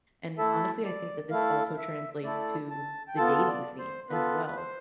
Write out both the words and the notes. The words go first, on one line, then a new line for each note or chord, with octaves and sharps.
And, honestly, I think that this also translates to the dating scene as well.
A3 E4 A4 E5
D5
A3 E4 A4 F5
E5
A3 E4 A4 D5
A5
G5
B3 F4 A4 A5
D5
C5
B3 F4 A4 B4
B4
C5